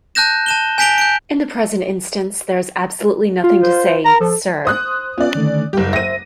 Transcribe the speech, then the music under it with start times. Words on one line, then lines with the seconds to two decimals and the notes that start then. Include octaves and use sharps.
In the present instance, there is absolutely nothing to say 'Sir?'
0.15 A5 F#6 G6 A#6 E7
0.46 A5 E7 G7
0.78 G#5 G6 B6 D7 F7 G7
0.98 G6 D7
3.44 F4
3.63 C5
4.05 A#4 A#5
4.21 F3 A4
4.65 C5 D#6 F#6
5.18 B3 C#4 F4 D5
5.35 D3 D#3 A3
5.73 F#1 G3 G4
5.93 C5 E5 A#6 D#7